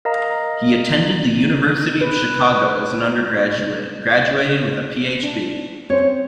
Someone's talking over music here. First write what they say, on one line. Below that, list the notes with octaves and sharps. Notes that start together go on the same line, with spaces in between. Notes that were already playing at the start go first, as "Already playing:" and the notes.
He attended the University of Chicago as an undergraduate, graduating with a Ph.B.
A#4 D#5 F5 A#5
B4
D4
C4 C#4 C5 C#5